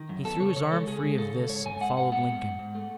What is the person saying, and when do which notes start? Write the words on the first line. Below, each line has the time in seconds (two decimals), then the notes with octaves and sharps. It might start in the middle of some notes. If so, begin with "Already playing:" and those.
He threw his arm free of this and followed Lincoln.
Already playing: D#3
0.09 F#2
0.25 B3 A4
0.40 C#3 C#5
0.56 C#3 C#5
0.72 G#3 A4
0.87 C#3 G#4
1.03 G#3
1.18 C#3 A4
1.34 C#3
1.49 G#2 C#5
1.66 G#2 G#5
1.81 G#2 F#5
1.97 G#2 F#5
2.12 B3 F#5
2.28 G#2
2.43 G#2
2.59 G#2
2.75 A3